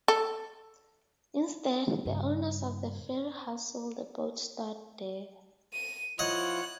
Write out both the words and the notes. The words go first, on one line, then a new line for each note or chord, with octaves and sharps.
Instead, the owners of the ferry house sold the boat stored there.
A4
G2 C#3
D#7
F3 E4 F4 C#5 D#5 F#5 F#6